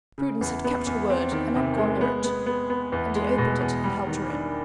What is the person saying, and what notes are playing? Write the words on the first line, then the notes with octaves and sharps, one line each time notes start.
Prudence had kept her word, and not gone near it; and he opened it, and helped her in.
C#3
E2
B3
E2
C4
D#3
C3
G#3
B3
B3
B3
B3
E2
G#3
B2
E2
G3
D#3
D4